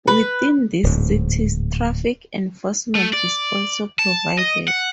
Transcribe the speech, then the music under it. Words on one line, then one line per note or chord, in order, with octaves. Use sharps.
Within these cities, traffic enforcement is also provided.
B4
D1 G#2
A3
D5
A5
D#5
F#5